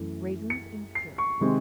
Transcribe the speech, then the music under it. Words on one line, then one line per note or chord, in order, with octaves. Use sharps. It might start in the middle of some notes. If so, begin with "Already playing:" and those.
Raisins in Syrup.
Already playing: F#2 E3 A3
C#7
C7
C#6
C3 D#3 G#3 C4